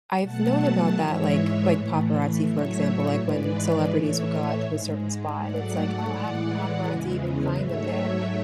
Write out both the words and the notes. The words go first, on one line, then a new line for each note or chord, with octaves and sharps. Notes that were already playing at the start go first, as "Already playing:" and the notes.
I've known about that, like like paparazzi, for example, like, when celebrities will go out to a certain spot and it's, like, "Oh, how did the paparazzi even find them there?"
B2 F#3 A3 F#5 A5
G#2 E3 G#3 C#5 E5
A2 E3 A3
A2 F#3 A3 C#5 E5
G#2 E3 G#3 B4 D5
A2 E3 A3 C#5 E5
G#2 G#3
G#2 F#3 A3 D5 F#5
A2 E3 G#3 D5 F#5
E2 C#3 E3 G#3
G#2 F#3 A3 C#5 E5